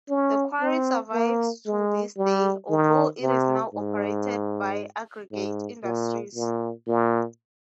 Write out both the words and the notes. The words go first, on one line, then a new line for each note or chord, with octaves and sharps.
The quarry survives to this day, although it is now operated by Aggregate Industries.
C#4
C4
A#3
G#3
G3
D#3
C3
G#2
G#2
A#2
A#2
A#2